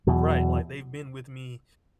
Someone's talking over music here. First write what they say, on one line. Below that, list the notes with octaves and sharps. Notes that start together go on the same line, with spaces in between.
Right, like they've been with me
E2 B2 F#3